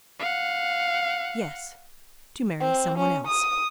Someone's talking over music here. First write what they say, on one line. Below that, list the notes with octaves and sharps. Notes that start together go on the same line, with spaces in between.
"Yes--to marry some one else."
F5 F#5
C4
C#4
D#6